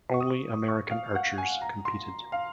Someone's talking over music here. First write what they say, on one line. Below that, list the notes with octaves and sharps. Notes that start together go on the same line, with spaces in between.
Only American archers competed.
C#6
D#6
C#6
F5
F#5
G#5
A#5
C6
F5